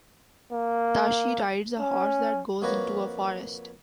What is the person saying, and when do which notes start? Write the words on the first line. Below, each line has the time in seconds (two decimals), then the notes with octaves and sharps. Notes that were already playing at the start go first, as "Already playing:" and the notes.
Tashi rides a horse that goes into a forest.
0.52 A#3
1.79 C#4
2.62 F2 A#3 F#4 B4 C#5 A#5